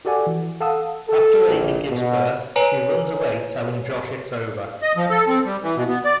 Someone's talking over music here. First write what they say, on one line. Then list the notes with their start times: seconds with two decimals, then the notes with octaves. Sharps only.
After Amy gives birth she runs away telling Josh its over.
0.05 F#4 G4 A4 D5 F#5 G#5
0.27 E3
0.60 A4 F5 F#5 A5 D#6 E6
1.08 A4
1.48 A#1
1.92 B2
2.56 B4 C#5 G#5 A#5
4.82 D#5
4.97 F3
5.10 A4
5.28 C4
5.45 G3
5.63 E3
5.76 B2
5.88 B3
6.05 D5